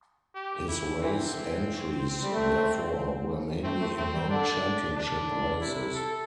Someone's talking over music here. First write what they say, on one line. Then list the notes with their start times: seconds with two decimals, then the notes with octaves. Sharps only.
His race entries, therefore, were mainly in non-championship races.
0.35 G4
0.68 E4
1.01 E3 C4
1.17 C3
1.25 D3
1.35 E3
2.21 G3
2.32 A3
3.64 A3 C4
3.80 A3
3.97 A3 C4
4.13 G3
4.29 D3 D4
4.95 C3 D4
5.13 A2
5.28 A2
5.45 A2
5.61 C3 E4
5.95 A4